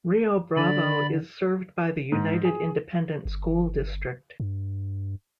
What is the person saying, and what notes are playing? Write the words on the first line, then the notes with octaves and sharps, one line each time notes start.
Rio Bravo is served by the United Independent School District.
D3 D5 B5
G#2
G#4
G1
G2